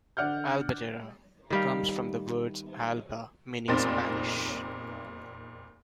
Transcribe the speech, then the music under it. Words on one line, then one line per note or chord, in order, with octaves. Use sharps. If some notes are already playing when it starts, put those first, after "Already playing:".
Albatera comes from the words Alba, meaning Spanish.
D3 D5 F#5 F6 G6
D#3 G3 F5
F1 E2 A#2 C4 D#4 A6